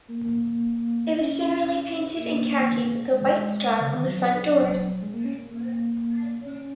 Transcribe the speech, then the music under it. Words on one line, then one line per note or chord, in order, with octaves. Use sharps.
It was generally painted in khaki, with a white star on the front doors.
A#3
A#3
C#4
A#3
G#3
C#3
D#3
F#3
G#3
A#3
C#4
A#3
C#4